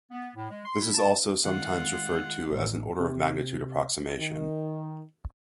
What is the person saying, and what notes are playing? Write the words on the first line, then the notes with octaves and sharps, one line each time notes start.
This is also sometimes referred to as an order-of-magnitude approximation.
B3
A2
G#3
C6
E4
A5
D#3 G#3 F4 F#5
A1
C3
D#3